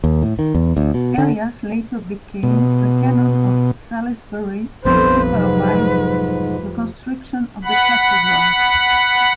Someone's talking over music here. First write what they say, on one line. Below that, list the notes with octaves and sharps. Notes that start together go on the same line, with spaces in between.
Elias later became a canon of Salisbury and supervised the construction of the cathedral.
D#2
A2
D#3
E2
D2
B2
D3
B2
F1 A#1 F2 G3 B3 C4 B4 C5
G#2 C3 F#3
F#5 B5